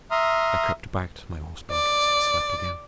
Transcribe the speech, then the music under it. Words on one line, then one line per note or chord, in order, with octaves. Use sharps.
I crept back to my horse blankets and slept again.
E5 A#5 C6 D#6 F6
D5